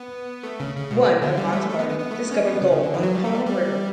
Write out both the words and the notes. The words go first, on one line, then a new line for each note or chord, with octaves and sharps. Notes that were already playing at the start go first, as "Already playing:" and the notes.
One of Hann's party discovered gold on the Palmer River.
Already playing: B3
A3
C#3
C#3
B2
D3
G3
A3
A3
B3
B3
B3
A3
B3
C#4
B3
C#3
C#3
D3
E3
F#3
G3
A3
G3
G3